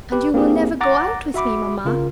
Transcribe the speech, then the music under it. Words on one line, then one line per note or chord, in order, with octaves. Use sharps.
"And you will never go out with me, mamma?"
G4 B4
A#3 C4 E4 G4 G#4
F#5 A#5 D6 A6 A#6
F#4 E5 B5 D6
C#3 F4 A#4